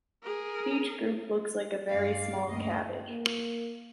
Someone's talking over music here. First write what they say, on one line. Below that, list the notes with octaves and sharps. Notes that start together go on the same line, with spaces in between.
Each group looks like a very small cabbage.
G#4 A#4
G2 D5 F5
D2 G2 A#3 C#4 D#5
A#3